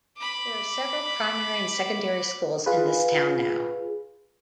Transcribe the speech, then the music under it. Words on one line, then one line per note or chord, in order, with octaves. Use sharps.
There are several primary and secondary schools in this town now.
B5 D6
F4 G#4 B4